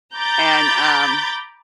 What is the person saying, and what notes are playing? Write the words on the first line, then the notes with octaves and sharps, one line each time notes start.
and um
A#5 B5 D6 G6 A6